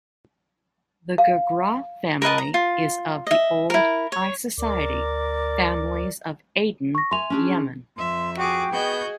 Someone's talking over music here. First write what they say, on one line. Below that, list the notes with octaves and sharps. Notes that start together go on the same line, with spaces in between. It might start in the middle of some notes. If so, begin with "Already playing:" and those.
The Girgrah family is of the old, high society, families of Aden, Yemen.
F5
A#4 B4 D#5 A5
A#5
F4
D#5 E5
E4 A#4
C#5
D2 A#4 D5 D6
C#6 A#6
E5 G#5 C6 F7
C#4 D4 G#4
F2 E5 C6
F#4 G#4 G5 D6
B3 F#4 G#4 D#5 G6